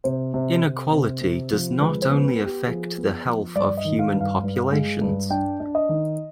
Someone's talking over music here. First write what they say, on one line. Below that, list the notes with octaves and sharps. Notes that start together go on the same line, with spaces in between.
Inequality does not only affect the health of human populations.
C3 C5
C3
C3
C3
C3
F3
G#3 B4
C5
B3
B4
B3
G4
F3 G#4
B3
F3
G2 D5
D#5
D#3
F5
G2
F5
G2
G#3
G2
D4 G5
D4
D#5
D#3